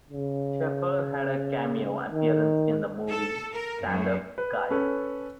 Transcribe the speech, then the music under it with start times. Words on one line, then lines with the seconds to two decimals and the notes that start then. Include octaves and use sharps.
Sheffer had a cameo appearance in the movie "Stand Up Guys".
0.10 C#3
2.11 D#3
3.09 A4
3.53 A#4
3.84 F#2
4.38 B4
4.71 C#4 A4 B4